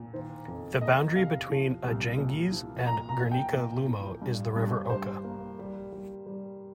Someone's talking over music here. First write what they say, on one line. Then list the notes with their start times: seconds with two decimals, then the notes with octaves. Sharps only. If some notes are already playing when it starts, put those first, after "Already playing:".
The boundary between Ajangiz and Gernika-Lumo is the River Oka.
Already playing: A#2
0.13 D#3 C5
0.48 F2
0.81 A#3 D#5
1.16 C3 F5
1.50 F3
1.84 C2
2.18 A#2
2.52 F3
2.86 A#2 A#5
3.09 A#5
3.20 A#2
3.31 G5
3.54 A#2
3.88 F3
4.22 G2
4.56 G2
4.90 G2 C5
5.24 A#3
5.59 G3
5.92 G3
6.26 G3